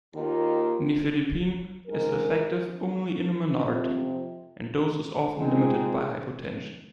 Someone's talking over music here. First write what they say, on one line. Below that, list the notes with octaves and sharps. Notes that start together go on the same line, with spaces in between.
Nifedipine is effective only in a minority, and dose is often limited by hypotension.
D#2 D#3 A#3 F4
G#2 G#3 D#4 A#4
F2 C3 F3 C4
A#2 G#3 C4 D#4 G#4